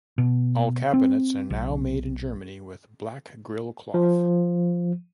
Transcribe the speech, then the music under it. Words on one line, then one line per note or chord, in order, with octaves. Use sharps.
All cabinets are now made in Germany with black grill cloth.
B2
C4
B1
F3